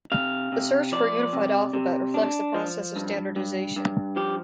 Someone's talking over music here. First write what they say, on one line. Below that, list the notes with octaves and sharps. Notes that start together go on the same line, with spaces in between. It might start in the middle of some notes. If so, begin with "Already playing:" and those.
The search for a unified alphabet reflects the process of standardization.
C3 F5
C3
F3 D5
C3
C3
D4
F3
G2
G2
G2
F3 G4